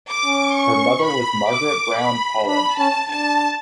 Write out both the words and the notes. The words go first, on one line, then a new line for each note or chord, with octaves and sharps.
Her mother was Margaret Brown Paulin.
D6
C#4
C#6
B5
D6
B5
D4 B5
C#4 A5
D4 A5